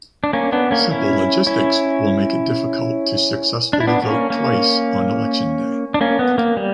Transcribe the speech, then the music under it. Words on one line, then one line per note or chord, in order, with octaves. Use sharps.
Simple logistics will make it difficult to successfully vote twice on election day.
D4
A#3 C#4
B3 D4
A#3 C#4
C#4 E4
C#4 E4
D4
E4
B3 D4
A#3 C#4
A#3 C#4
D4
A#3 C#4
B3
A#3
G3